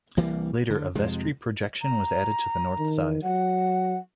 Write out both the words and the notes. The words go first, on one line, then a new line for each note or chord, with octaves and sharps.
Later, a vestry projection was added to the north side.
C2 E3 G3 A#3
D3
F2 C3 G#3
A#5
D#3
F#3 F#5